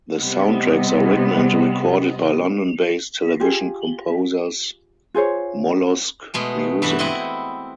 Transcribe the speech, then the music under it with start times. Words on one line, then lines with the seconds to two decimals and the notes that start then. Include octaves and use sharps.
The soundtracks are written and recorded by London-based television composers, Mollusc Music.
0.20 C3 G3 B3 D#5
3.40 F4 G4 G#4
5.14 F4 G#4 C5 C#5
6.34 B2 G#3 A3
6.82 G2 E3 E5 F#5
6.99 C4 E4 D#5 F#5